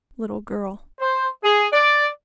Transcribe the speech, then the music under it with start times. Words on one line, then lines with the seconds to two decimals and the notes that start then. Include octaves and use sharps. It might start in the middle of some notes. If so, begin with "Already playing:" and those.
Little girl.
1.00 C5
1.44 G#4
1.73 D5